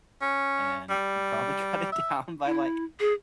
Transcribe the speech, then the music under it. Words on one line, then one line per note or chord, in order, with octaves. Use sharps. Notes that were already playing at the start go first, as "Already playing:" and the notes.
and probably cut it down by, like,
C#4
G3
E5
E4
G#4